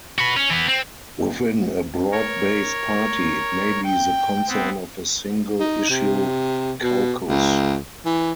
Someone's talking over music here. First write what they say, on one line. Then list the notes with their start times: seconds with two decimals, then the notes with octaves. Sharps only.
Within a broad-based party it may be the concern of a single-issue caucus.
0.18 F#4 B4
0.36 C#4
0.50 E3 B3
0.68 C4
2.12 A#4 C#5
3.86 G5
4.48 B3 C4
5.60 D#4
5.90 C3
6.82 B2
7.29 C#2
8.05 E3